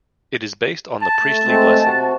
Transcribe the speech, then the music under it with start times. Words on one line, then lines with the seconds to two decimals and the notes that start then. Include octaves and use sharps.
It is based on the Priestly Blessing.
1.02 A5
1.21 A3
1.44 G#3 A3 C4
1.84 C3 F#4